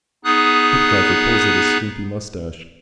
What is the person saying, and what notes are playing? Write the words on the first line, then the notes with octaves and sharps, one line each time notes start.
Hoopdriver pulls at his skimpy moustache.
B3 D#4 G#4 D#6 F#6